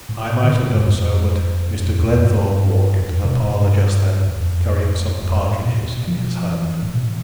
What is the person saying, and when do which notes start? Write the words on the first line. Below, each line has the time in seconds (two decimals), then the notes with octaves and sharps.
I might have done so, but Mr. Glenthorpe walked into the parlour just then, carrying some partridges in his hand.
0.09 A2
0.44 D3
0.51 C3
0.63 A2
0.72 G2
0.78 F2
0.84 G2
0.94 F2
1.80 F2
1.90 E2
2.02 E2
2.12 F2
2.22 G2
3.01 E2
3.08 F2
3.24 C3
3.33 B2
3.42 A2
3.51 G2
4.28 E2
4.36 F2
5.23 F2
5.36 G2
5.51 A2
5.65 B2
6.08 F3
6.25 F3
6.51 E3
6.83 A2
6.93 B2